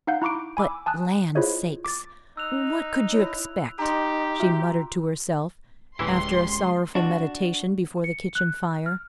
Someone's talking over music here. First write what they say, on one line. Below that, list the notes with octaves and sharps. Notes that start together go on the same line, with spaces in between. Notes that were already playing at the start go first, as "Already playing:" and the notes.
"But, land's sake, what could you expect?" she muttered to herself, after a sorrowful meditation before the kitchen fire.
D#4 F5 F#5 G6
E4 A#5 C#6 D6 D7
G#5 B5 D6 E6
G#5 A5 D#6 F#6
E4 F4 G#4 C5 C#5 D#5
D6 A6
D#4 E6 F#6 F7
E4 C#5
D#4 G4 A#5 C6
F4 F#4 E5
D1 E3 G#3 C#4 E4 G4 C6
D4 F#4
C#7
F#6
F6